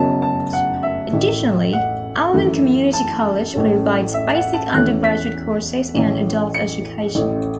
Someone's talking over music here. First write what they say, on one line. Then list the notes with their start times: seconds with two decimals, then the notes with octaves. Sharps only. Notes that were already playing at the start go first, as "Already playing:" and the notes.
Additionally, Alvin Community College provides basic undergraduate courses and adult education.
Already playing: F#1 F#2 C#3 F#3 B3 A5
0.22 A5
0.53 F#5
0.83 E5
1.13 A1 A2 E3
1.73 F#5
2.34 F#2 E3 A3
2.93 A5
3.54 A1 A2 A3 C#4
4.14 E5
4.35 F#5
4.54 A5
4.74 E2 E3 A3 C#4 F#6
5.04 B6
5.95 A1 A2 E3 C#4
6.54 C#7
7.15 A1 A2 A3 C#4